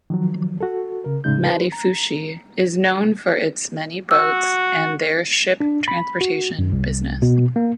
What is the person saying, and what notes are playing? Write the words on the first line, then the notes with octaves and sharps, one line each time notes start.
Madifushi is known for its many boats and their Ship Transportation Business.
D#3 F3 F#3
F#4 A4
C#3 A#4
A2 C#3 G#3 D#4 G6
B4 C5
A#5
F#4 E6
D4
B5
F#4
F#2
C2
B2
A#3